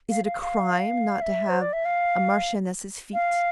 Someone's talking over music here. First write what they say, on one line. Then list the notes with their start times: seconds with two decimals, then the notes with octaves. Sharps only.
"Is it a crime not to have a marchioness's feet?"
0.10 F5
0.25 F5
0.42 F5
1.22 E5
1.49 C5
1.61 D5
1.73 E5
1.85 F5
3.14 F5